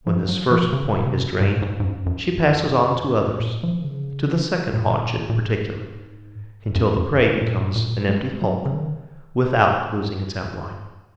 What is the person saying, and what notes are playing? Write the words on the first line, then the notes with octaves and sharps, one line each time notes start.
When this first point is drained, she passes on to others, to the second haunch in particular, until the prey becomes an empty hulk without losing its outline.
F3
F#3
F3
C#3
A#2
C3
G#2
G#2
G#2
F#2
F#2
A#2
F3
D#3
C#3
A#2
A#2
G#2
F#2
F#2
A#2
A#2
G#3
F#3
C#3
D#3